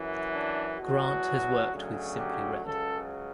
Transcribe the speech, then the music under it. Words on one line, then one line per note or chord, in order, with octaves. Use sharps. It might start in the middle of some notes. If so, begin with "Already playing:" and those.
Grant has worked with Simply Red.
Already playing: F#2 E3
D4
E2 B2 F#3 F#4
D2 C#3 F#3
G4
C#2 C#3 F#3 A4